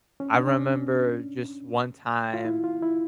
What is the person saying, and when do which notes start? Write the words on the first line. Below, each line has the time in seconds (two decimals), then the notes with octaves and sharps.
I remember just one time,
0.20 C#4
0.33 D4
0.47 C#4
2.34 F4
2.45 E4
2.64 F4
2.82 E4